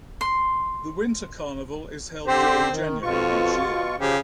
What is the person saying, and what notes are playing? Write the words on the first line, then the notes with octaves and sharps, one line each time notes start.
The Winter Carnival is held during January each year.
C6
D3 C4 G4 C5
D#3
F2 B2 F4 C#6
C#3 F3 G4